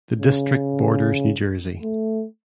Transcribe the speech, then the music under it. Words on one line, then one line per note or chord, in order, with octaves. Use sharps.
The district borders New Jersey.
C#3
A3